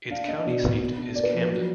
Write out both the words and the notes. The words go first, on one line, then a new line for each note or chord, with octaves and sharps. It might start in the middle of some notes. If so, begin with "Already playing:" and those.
Its county seat is Camden.
D4 F5
D4 D#5
B2 D5
B2
B3
D4
A#3 D5
B4
F3
B4
F#3